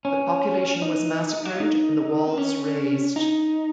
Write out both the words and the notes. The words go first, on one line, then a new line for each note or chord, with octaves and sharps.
The population was massacred and the walls razed.
C#4
D#4
F#4
F4
D#4
C4
C#4
D#4